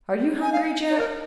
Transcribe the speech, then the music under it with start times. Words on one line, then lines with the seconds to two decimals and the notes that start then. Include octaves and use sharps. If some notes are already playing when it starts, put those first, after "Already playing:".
"Are you hungry, Jap?"
0.41 G#5
0.52 F5
0.90 C#5
0.98 A#4